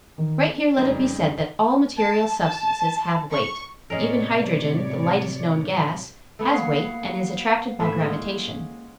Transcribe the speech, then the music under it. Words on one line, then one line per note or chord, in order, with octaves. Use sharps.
Right here let it be said that all material substances have weight; even hydrogen, the lightest known gas, has weight, and is attracted by gravitation.
D#3
F#1 F2 C#3 G3 D#4
A5
A5
C#6
A2 C3 G#3 C#4 A#4 C#5 D5
A3 B3 C#5
A#3 F#5 C7
A2 B3 E5
G#3 C#4 C5